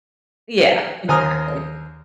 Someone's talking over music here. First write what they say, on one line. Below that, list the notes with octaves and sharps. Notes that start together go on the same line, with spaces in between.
Yeah, exactly.
D#2 C5 G#5 A#5 D#6 F6